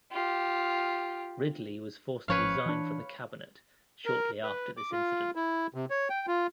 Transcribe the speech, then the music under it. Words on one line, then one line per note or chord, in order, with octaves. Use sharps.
Ridley was forced to resign from the cabinet shortly after this incident.
F4 G4
G#1 F3 C#4 B4 C#5 F5
E3 D4
A#4
B4
D6
F4
E4
C3
C#5
G5
F4